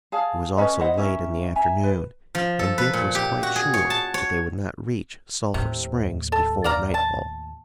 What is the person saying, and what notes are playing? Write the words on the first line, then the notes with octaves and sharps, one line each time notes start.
It was also late in the afternoon and Dick was quite sure that they would not reach Sulphur Springs before nightfall.
G#4 D5 F5 A5
C#4 A4 B4 D#5
E4 C5 D#5 F#5
C#4 E4 A#4
E5 G#5 A#5
B4
F3
A4
B4
A#2
G4
F#4
G#4
C#5
A5
C#5
D#2 A2 C3
A4
D5 F5 A#5
A5